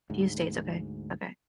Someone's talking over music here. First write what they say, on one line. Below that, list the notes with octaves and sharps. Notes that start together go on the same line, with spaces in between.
Few states, okay, okay.
D2 G#2